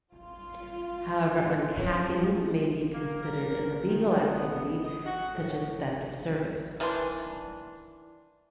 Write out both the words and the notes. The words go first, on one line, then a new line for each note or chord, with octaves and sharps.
However, uncapping may be considered an illegal activity, such as theft of service.
F4
C#4
A#3
A#4
D#3
B3
D#5
F#4
A2
D#3 E3 D4 C6